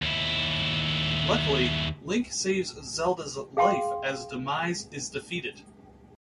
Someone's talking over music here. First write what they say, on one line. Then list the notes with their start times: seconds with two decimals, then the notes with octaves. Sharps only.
Luckily, Link saves Zelda's life as Demise is defeated.
0.02 D#2 E4
3.57 G#4 F5 G5 C6